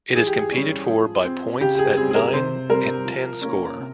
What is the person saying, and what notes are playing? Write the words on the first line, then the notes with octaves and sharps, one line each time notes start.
It is competed for "by points at nine and ten score".
E3 G#4
G4
G#4
G3 C#4
F3
C4
C#3 G4
G4
G#4
G3 C4 G#4
G#4
A#4
C3 C5
G3 C4 A#4
F3
A#3 C#4
C3